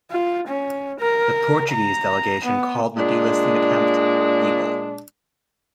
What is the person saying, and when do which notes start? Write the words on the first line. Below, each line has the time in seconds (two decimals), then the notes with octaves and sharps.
The Portuguese delegation called the delisting attempt "feeble".
0.11 F4
0.47 C#4
0.99 A#4
1.72 A#5
2.45 B3
2.97 A#2 G#3 D4